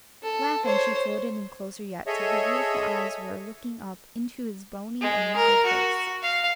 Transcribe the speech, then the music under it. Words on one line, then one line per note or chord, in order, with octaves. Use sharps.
Laughing, she floated in closer yet, till her beautiful eyes were looking up into his bony and wrinkled face.
A4
C5 C#5
G#4 A4 C#5 D#5 E5
G#3
A#4
F#4
F5